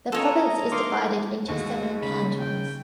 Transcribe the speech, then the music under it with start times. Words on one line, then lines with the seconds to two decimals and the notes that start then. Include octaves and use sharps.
The province is divided into seven cantons.
0.12 C#4 F4 A4 C#5 D#5 A5 A#5
0.72 A#3 D#4 F5 C6 D6
1.48 D#2 G#3 F#4
2.02 C#3 B5
2.40 G5